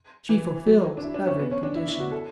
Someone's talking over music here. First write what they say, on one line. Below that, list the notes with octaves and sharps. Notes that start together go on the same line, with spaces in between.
"She fulfils every condition."
E3
F#3
D4
E4
D4
C#4
B3
C#4
D4
E4
E4
F#4
A4